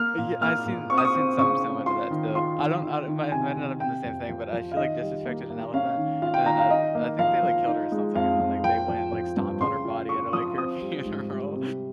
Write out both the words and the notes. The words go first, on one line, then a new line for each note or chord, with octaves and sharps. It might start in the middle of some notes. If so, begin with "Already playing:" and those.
Ye I've seen I've seen something similar to that, though. I don't I might it might not have been the same thing, but I she, like, disrespected an elephant, and then I d I think they, like, killed her or something, and then, like, they went and, like, stomped on her body at, like, her funeral.
Already playing: A#3 F6
A#2
A#3 F6
A#2
C4 C#6
D#6
C#6
C4
C#3 C#6
C4
F4 C6
D#3
F4 C6
D#3
D#3
D#3
C3 G#5
C3
C3 G5
F2
F3
F3
F5
D#3 D#5
G3
A#3
A#3
C#4 F5
D#3
F4 F5
G5
D#3 A#5
F5
D#4 D#5
A#3
F3 F5
F3
D#4
G#3
F2 F5
F2
F3 G5
F3
F3
G2
C#3 C6
F4
F4 C#6
F3 D#6
C4 D#6
G3
G#2
G3
C3